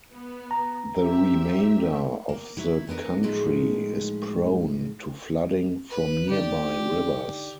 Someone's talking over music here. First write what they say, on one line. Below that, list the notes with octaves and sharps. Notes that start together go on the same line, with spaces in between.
The remainder of the country is prone to flooding from nearby rivers.
B3
A#5
C4 G4 E5
A#3
F#3 E4
A3 B3 D4 A#4
A2 F3 F#3 G#3 A3 D#4
B4
D3 D#4 G4 D5